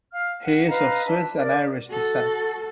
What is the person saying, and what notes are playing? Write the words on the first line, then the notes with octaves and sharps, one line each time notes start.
He is of Swiss and Irish descent.
F5 F6
F#5
B4 D#5 F5 A#5
D4 B4 E5 A5
A#4 D5
F#4 A4